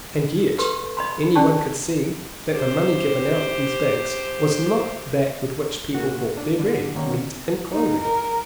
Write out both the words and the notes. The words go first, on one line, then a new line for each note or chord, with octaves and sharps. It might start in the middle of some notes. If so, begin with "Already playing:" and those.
And yet any one could see that the money given out at these banks was not that with which people bought their bread, meat, and clothing.
G4 A4 B4 C6
D#5 B5 C6
B5
C#4 D4 G#4 D5 A5 C#6
G4 C5
A#2 F#4
D4
D3 D4
D3 D#3 A#3 C#4
D#4
A#4